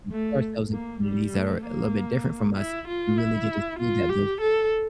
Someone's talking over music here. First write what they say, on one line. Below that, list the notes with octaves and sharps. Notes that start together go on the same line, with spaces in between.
when we put ourselves in communities that are a little bit different from us, we really get to see that those
A3
A#3
G3
A3
A#3
E4
F4
E4
F4
G4
A4